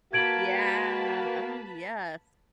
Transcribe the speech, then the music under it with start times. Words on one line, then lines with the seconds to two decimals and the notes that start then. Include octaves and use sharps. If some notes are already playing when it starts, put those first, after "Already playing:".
Yeah, oh, yes.
0.13 A#3 F#4 B4 A5 B5 G#6 D7 F#7